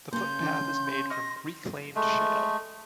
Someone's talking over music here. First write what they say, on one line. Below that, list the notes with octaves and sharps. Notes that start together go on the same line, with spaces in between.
The footpath is made from reclaimed shale.
C#3 A#3 C#4 C6 G6
E3 D4
D#5 C#6 F6 A#6
G#3 A3